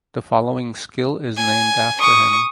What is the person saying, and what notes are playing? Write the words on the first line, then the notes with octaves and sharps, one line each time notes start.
The following skill is named after him.
G#5
C#6 D#6